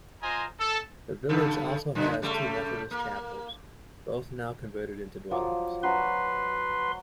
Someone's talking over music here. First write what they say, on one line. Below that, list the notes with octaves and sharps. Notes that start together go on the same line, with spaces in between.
The village also has two Methodist chapels, both now converted into dwellings.
F4 C5 D#5 G#5 A#5
A4
G2 C#3 A4
F#2 D3
C#3 G3 A3
A#3
F3 F#3 D5
F#3 F#4 B4 C5 C6